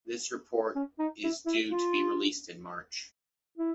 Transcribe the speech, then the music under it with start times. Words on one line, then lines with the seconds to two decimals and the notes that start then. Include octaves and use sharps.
This report is due to be released in March.
0.75 C#4
0.99 D#4
1.23 E4
1.46 E4
1.69 F4
3.57 E4